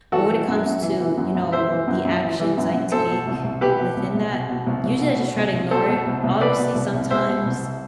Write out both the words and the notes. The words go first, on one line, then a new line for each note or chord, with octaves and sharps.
But when it comes to, you know, the actions I take within that, usually I just try to ignore it. Obviously, sometimes,
E3 F#4 A4
E3
F#2
F#2
E3
E3
F#2
F#2
E3 C5 E5
E3
F#2
F#2
E3
E3
F#2
F#2
B2 A4 C5
B2
C2
C2
B2 G4 B4
B2
C2
C2
B2
B2
C2
C2
B2
B2
C2
C2
B2 A4 C5
B2
C2
C2
B2 B4 D5
B2
C2
C2
B2 C5 E5
B2
C2